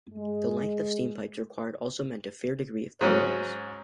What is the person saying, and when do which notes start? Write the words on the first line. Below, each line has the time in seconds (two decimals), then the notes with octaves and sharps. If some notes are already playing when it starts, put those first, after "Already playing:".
The length of steam pipes required also meant a fair degree of power loss.
0.14 G#3
3.01 G#2 F#3 C#4